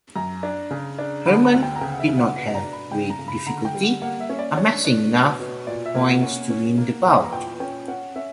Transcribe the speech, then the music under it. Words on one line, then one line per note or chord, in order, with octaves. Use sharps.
Herman did not have great difficulty amassing enough points to win the bout.
F#2 A#5
D4
C#3
D4
D3 B5
A#5
D2
G5
A#5
C#3 G5
F#5
E5
C#3
F#5
B2 F#5
A#5
D4
B5
C#3 G5
A#5
C#3
B5
D3 A#5
G5
G3
F#5
A#3 F#5
E5
C#4
D5
D4 C#5
D4
B2
B2
A#2 D5
E5
A#3
F#5
C#4
C#4
A#3
E2
B5
A#5
A#2 G5
C#4 G5
C#4 F#5
C#4 E5